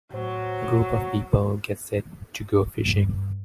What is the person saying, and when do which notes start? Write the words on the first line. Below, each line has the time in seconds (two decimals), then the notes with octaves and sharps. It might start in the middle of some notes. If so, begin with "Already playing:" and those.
A group of people get set to go fishing.
0.13 A2 F#3 C5
2.86 G2